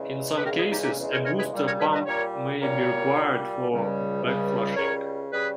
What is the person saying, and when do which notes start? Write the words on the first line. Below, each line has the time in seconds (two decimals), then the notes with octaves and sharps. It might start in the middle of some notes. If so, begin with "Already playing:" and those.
In some cases, a booster pump may be required for backflushing.
Already playing: E2 C#3 G#3
0.37 B4
0.44 E2 C#3 G#3 G4 A#4
0.57 E4 G#4
0.71 D#4 G4
0.84 D#4 G4
0.98 E2 C#3 G#3
1.11 A#4 C#5
1.25 A#4 C#5
1.38 G#4 B4
1.52 A#2 G3
1.66 A#4 C#5
1.79 G#4 B4
1.92 B4 D#5
2.06 A#2 G3 A#4 C#5
2.60 A#2 G3 A#4 C#5
3.15 A#2 G3
3.69 C#2 C#3 G3
4.22 C#2 C#3 G3
4.76 C#2 C#3 G3 A#4 C#5
5.30 C#3 G3 G#4 B4